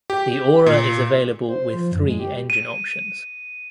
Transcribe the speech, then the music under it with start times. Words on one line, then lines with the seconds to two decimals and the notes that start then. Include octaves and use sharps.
The Aura is available with three engine options.
0.10 G4
0.66 A#2
1.48 C5
1.73 F3
1.92 F#2
2.06 G#3
2.19 G4
2.50 D#7